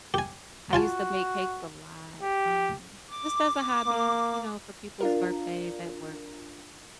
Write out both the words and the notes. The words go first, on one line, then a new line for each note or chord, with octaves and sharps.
I used to bake cakes a lot, um, just as a hobby, you know, for people's birthdays at work
G4 G#5
F4 F#4 G#5 A5
G4
D6
A#3
D4 F4 A#4